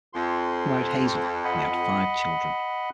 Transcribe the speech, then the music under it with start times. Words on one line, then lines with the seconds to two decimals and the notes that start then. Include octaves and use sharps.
He married Hazel and they had five children.
0.13 F2 C6
1.44 D#5 F#5 B5